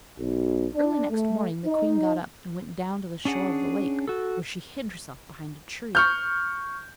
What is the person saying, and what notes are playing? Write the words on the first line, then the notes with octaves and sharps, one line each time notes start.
Early next morning the queen got up and went down to the shore of the lake, where she hid herself behind a tree.
B1
D4
A3
D#4
C#4 D4 G#4 F#5
F#4 A4
C#6 F6 G6